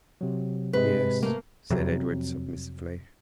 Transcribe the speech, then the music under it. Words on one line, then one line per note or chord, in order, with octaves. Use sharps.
"Yes," said Edred submissively.
C3 F#3
G#2 C3 G#3 B4
A3 A#3
F2 C3 F#3